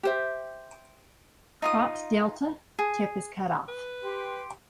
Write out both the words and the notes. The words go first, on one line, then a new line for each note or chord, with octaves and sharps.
Cropped delta - tip is cut off.
G4 C5 E5
D#4 F4 D#6
G#4
B4
G4 C6